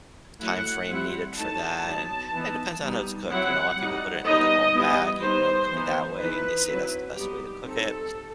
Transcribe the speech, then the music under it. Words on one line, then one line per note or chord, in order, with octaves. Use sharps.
time frame needed for that, and it depends on how it's cooked, you know? Uh, people put it in what they call a bag, y you know, they cook it that way, and they say that's the best way to cook it.
F#3 A3 E4 F#5
G3 C4 E4
F#3 A3 D#4 A5
F#3 B3 D#4
E3 B3 D#4
G3 B3 D#4
F#3 C4 E4 F#5
G3 D#4
G3 B3 D#4 D#5
G3 B3 E4
G3 B3 D#4 C5
E3 B3 D#4
E3 B3 D#4 B4
F#3 C4 E4
G3 B3 D#4 G4
G3 C4 D#4 A4